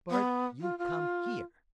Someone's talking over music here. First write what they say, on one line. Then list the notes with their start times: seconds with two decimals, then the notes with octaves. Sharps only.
"Bart, you come here!"
0.11 B3
0.61 F4
0.79 F4